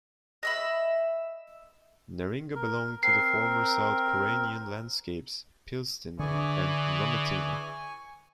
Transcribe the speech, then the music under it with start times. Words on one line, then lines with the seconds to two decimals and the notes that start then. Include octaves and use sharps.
Neringa belonged to the former south-curonian landscapes "Pilsaten" and "Lamotina".
0.43 D#5 E5 B5
2.55 A#4
3.03 C4 A#4 C7
6.19 D3 E3 D4 G#4 D5 G#5 C#6